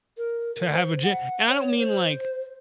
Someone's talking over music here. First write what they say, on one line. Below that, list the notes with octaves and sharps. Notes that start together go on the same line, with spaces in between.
to have a ge and I don't mean like
A#4
C5
F#5
C#5
C5